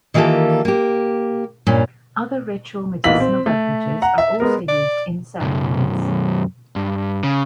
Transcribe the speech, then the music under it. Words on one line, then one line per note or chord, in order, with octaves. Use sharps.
Other ritual medicinal beverages are also used in the ceremonies.
D#3 E3 A#3 F4 G4 A4
A#3 G4
G2 A#2 C#4
B1 A#2 E3 F5 B6 F#7
C4
A3
F#5 A#5
E5
G#3 B3 A#4
D5
B1 F#2
G2
C#3